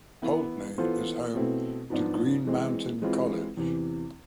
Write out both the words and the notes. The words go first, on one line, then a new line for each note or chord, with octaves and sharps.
Poultney is home to Green Mountain College.
E3 B3 E4 B4
E3 B3 F4 A4 C5
B2 A3 C4 E4
G#2 F3 B3 D4
E3 G#3 C4
E3 G#3 C4 F4 B4
E2 C3 E3